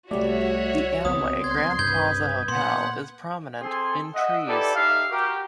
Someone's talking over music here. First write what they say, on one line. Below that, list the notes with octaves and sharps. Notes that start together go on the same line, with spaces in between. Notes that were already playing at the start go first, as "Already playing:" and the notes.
The Amway Grand Plaza Hotel is prominent in "Trees".
C2 G3 A3 F#4 C#5 D5 E5
C#2 B3 C4 D#6
C6 G#6
G2 C3 B4 G6 G#6 G7
A#2 B3 F#5 C6
C4 G#4 A4 G#5 C6
D#5 E5 F#5
D#4 E4 G4 A4 B4 D5
D#4 G4 E5 F5
F#4 G4 A#4